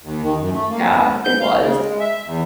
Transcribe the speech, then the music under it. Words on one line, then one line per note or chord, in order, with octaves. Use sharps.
Yeah, it was.
D#2
D#3
F#2
A3
A#3
B3
G6
F5
C#3
G#3
E5
E2